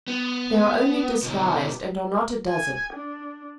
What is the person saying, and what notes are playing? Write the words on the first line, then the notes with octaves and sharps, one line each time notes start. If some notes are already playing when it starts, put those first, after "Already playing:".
They are only disguised, and are not a dozen.
B3
B2 D3
G#5
D4